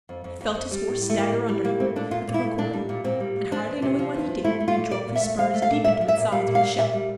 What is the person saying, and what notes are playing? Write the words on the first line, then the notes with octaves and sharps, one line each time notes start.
He felt his horse stagger under him with the recoil, and hardly knowing what he did, he drove his spurs deep into its sides with a shout.
F2
F2
F2
F2
G3
A2
G3
A3
A2 A#3
G3
G3
A#2 A#3
A3 C4
A#2 D4
A#2 F4
A#2
E4
A3
A#2 D4
G3
A#2
A#2 C4
G3
A#2
F3 D4
E2
C3
F3
E2
F3
A3 E4
A3
F4
A#2
A#2 D5
A#2
E5
A3
F3 F5
A3
F5
A#2
A#2 E5
F3
E5
A#2
G3 F5
A#2
F5
G3
A#2 E5
G3